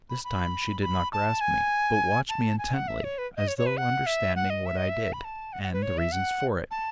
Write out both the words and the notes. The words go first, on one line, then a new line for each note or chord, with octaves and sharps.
This time she did not grasp me, but watched me intently, as though understanding what I did, and the reasons for it.
B5
B5
B5
A5
G#5
A5
G#5
F#5
E5
C#5
B4
D#5
C#5
C#5
B4
F#5
E5
F#5
D#5
E5
D#5
E5
B5
A5
F#5
F#5
B4
C#5
E5
F#5
A5